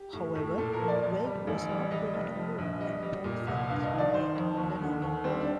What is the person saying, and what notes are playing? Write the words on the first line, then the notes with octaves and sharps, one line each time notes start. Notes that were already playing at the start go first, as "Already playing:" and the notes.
However, Weld was not ready to move and both families remained in Lenawee.
Already playing: G4
A2
A2
A#2 A4
A#4
F3
D5
F2
G3
A1
G3
G3 D#5
F1
F3
A#1
G3 D#5
G3
A#2
C2
G2 F5
D#5
D#3
D5
D#3 C5
F2
D#2
D3
D#2
G3 C4
D4